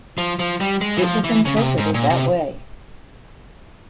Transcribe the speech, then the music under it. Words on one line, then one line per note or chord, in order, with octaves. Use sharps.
It was interpreted that way.
F3
F3
G3
G#3
E3
F3
E3
C#3
C#3
C3
G#2
A#2
C3